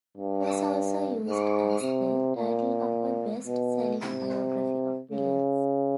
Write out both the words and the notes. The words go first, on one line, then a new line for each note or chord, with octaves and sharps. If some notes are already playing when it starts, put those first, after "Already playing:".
It was also used as the title of a best-selling biography of Williams.
G2
G#2
C3
A#2
B2
C3
C#3